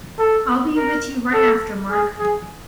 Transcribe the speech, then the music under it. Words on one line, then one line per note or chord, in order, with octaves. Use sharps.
I'll be with you right after Mark.
A4
A#4
A4
G#4
G#4